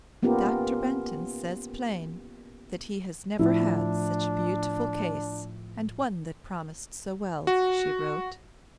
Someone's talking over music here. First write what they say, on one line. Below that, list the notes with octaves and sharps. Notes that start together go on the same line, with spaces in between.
"Doctor Benton says plain that he has never had such a beautiful case and one that promised so well," she wrote.
A#3 B3 C#4 F4 G4 A#4
A2 F3 D4 E4
F#4